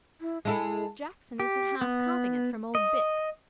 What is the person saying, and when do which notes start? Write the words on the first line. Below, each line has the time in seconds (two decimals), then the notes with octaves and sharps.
'Jackson isn't half copping it from old Bick.'
0.21 E4
0.45 G#3 E4 A4 A5
1.40 G4
1.81 B3
2.75 D#5